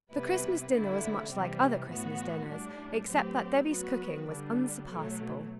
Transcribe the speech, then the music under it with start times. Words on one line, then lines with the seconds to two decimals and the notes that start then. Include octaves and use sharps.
The Christmas dinner was much like other Christmas dinners, except that Debby's cooking was unsurpassable.
0.12 C3 G3 B3 E4 B4
0.71 D3 A3 E4
1.31 C3 E3 G3 C4
1.90 A2 E3 B3 F#4
2.50 A2 G3 D4
3.09 A2 F#3 C4 G4 B4
3.69 F#3 B3 F#4 B4
4.28 D3 G3 D4
4.87 B2 F#3 A3